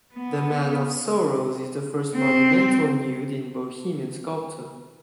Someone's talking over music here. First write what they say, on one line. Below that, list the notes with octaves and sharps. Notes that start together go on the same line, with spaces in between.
The Man of Sorrows is the first monumental nude in Bohemian sculpture.
B3
C4